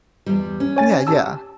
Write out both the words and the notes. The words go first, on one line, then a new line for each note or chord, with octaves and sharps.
Yeah, yeah.
E2 G3
C#4
C#5 G#5 A6
G4 A5 E6